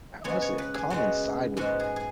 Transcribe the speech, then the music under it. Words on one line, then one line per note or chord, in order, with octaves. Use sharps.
a, honestly, a common side with
C#3 G#3 B3 C#5
C#5
B4
G#4
C#3 G#3 B3 F#4
G#2 G#3 B3 F#4
G#4
G#4